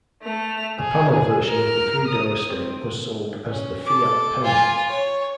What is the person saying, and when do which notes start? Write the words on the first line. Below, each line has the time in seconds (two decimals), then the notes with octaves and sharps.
A panel version of the three-door estate was sold as the Fiat Penny.
0.23 A3 F7
0.79 G#4
1.46 A#4 F6
2.08 D#6
2.48 C4
3.47 C#4
3.85 A4 D6
4.42 F4 G#5
4.89 C#5